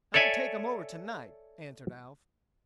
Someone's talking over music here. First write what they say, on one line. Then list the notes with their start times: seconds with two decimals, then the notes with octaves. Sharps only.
"I'd take 'em over tonight," answered Alf.
0.14 A4 C#5 D5 E5 G#5